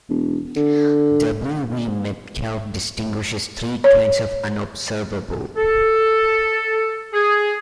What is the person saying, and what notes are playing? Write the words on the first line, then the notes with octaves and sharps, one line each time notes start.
W. V. Metcalf distinguishes three kinds of unobservables.
E1
D3
C#5
A4
G#4